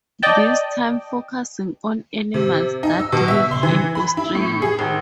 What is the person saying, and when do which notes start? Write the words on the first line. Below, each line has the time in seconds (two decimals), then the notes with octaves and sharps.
This time focusing on animals that live in Australia.
0.23 D5 D#5 G5 A5
2.34 C3
2.83 D#4
3.00 E6
3.12 B2
3.28 E5
3.51 C6
3.63 E3
3.95 B5
4.17 E4
4.35 A2
4.62 G#4
4.79 G#1